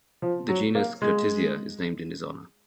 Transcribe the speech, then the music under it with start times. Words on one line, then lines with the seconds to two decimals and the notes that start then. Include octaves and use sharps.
The genus "Curtisia" is named in his honour.
0.22 F3
0.49 F#3
0.75 A#3
1.02 G#3